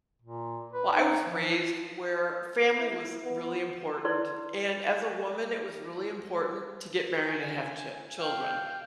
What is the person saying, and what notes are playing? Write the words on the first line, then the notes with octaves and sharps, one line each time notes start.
Well, I was raised where family was really important, and as a woman, it was really important to get married and have ch children.
A#2
B4
D#4
F3
E4
B3
E4 A4 B4 C5 D5 C6
G#5
F5 G5